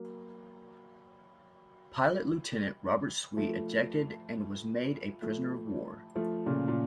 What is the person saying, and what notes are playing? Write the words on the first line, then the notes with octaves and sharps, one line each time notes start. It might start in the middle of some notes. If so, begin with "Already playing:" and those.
Pilot Lieutenant Robert Sweet ejected and was made a Prisoner of War.
Already playing: F#3 A#3
F3 A3
F3 A3
F3 A3
A#2 C#3
A#2